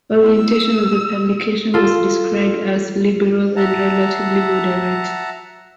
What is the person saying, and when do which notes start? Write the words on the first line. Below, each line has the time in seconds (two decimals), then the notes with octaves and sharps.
Orientation of the publication was described as "liberal" and "relatively moderate".
0.23 B3 E4 A4 E6
1.74 F4 A4
3.56 E5 F#5 A5 A#5